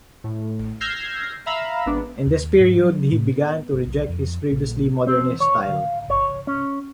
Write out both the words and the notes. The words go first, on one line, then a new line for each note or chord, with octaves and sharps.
In this period he began to reject his previously modernist style.
A2
E6 F6 G6 G#6 A#6 C7
E5 F5 A#5 B5 E6
G#1 B3 D4
D#2
G#2
F#3
A2
B3
G1
B1
F2
A#1
C4
C#5
F5
C#5
C#4